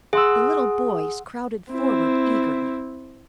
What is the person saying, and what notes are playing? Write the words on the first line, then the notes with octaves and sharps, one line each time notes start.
The little boys crowded forward eagerly.
G#4 F#5 C6 E6
C4 E4